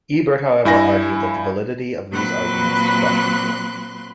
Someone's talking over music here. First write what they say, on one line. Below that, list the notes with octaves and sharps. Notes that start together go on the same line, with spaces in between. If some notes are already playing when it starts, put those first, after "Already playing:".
Ebert, however, argued that The validity of these arguments is questionable.
G2 E4 G#5 A#6
A#2 F#3 C4 B4 C6 F#6